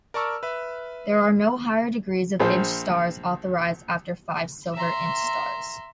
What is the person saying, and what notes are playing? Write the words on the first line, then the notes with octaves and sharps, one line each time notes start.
There are no higher degrees of inch stars authorized after five silver inch stars.
A#4 D5 A5 C#6 E6 F6
B4 E5
A#1 F3 C5
E5 A#5 C6